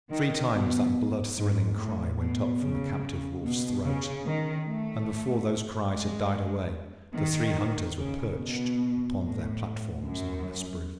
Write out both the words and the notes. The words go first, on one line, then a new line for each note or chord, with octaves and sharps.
Three times that blood-thrilling cry went up from the captive wolf's throat, and before those cries had died away the three hunters were perched upon their platforms among the spruce.
D#3
B2
G#2
A2
B2
C#3
B2
C#3
D#3
A3
G#3
D#3
C#3
B2
A2
F#2